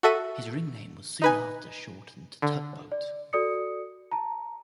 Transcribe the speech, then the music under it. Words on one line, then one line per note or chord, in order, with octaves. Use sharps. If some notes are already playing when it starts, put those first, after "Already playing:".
His ring name was soon after shortened to Tugboat.
F#4 A4 E5 D#7
D#4 B4 G#5
D3
D5
F#4 A4 D5 D#6 C#7
A5 A#5